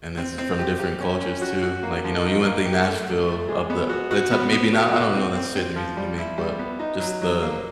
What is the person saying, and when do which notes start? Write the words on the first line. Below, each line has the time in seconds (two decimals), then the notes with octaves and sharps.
And this is from different cultures too, like, you know, you wouldn't think Nashville of the that's how maybe not I don't know not to share the music you make, but just the n
0.18 C4
0.38 C4
0.59 G4
0.80 G4
1.01 C#4
1.20 C#4
1.42 F#4
1.63 F#4
1.83 A#3
2.04 F3
2.25 D#4
2.45 A#3
2.66 G4
2.86 A3
3.08 A3
3.28 A3
3.48 G#3
3.70 B3
3.89 F#4
4.11 F#4
4.31 B3
4.52 B3
4.73 F#4
4.93 F#4
5.14 C4
5.35 C4
5.55 C4
5.76 F3
5.97 G3
6.18 E4
6.38 G3
6.59 B3
6.79 D#4
7.00 F#3
7.21 F#3
7.42 A#3